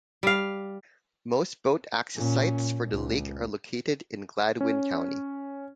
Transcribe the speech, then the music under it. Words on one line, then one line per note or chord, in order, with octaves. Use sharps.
Most boat access sites for the lake are located in Gladwin County.
G3 F5
A#2 C#4
C#2
C#4